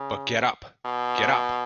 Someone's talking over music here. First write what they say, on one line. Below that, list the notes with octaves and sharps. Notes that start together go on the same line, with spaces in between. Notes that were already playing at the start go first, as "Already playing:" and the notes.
But get up, get up!
Already playing: C#3
B2